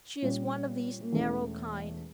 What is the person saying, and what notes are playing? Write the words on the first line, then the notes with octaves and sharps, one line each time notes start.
She's one of these narrow kind.
A#2 G3 C#4
E1 E2 E3 A3 C#4